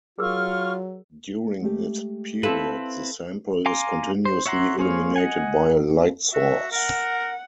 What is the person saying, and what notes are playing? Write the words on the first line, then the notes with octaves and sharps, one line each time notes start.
During this period, the sample is continuously illuminated by a light source.
F#3 F4 G#4 A#4 C#6 E6 F6
G#3 A3 G4
C4 E4 A4 B4 F5 C6
F5 G#5 A#5 C6 D6
C5
C#5 E5 F#5 A#5 C6
A#3 G#4 C5 C#5 F5
D#5 F#5 G#5
F#4 E5
A#4 F#5